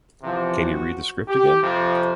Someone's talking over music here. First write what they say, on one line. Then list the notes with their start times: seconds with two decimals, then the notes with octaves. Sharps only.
Can you read the script again?
0.23 E2 C3 F3
0.58 F#4
1.28 G4
1.62 F2 C3 F3